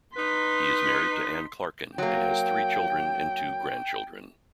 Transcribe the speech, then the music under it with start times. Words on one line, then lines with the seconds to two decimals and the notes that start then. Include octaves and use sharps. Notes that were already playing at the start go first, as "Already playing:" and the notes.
He is married to Anne Clarkin, and has three children, and two grandchildren.
0.17 D#4 B4 C6 B6
1.98 F#3 A#3 G5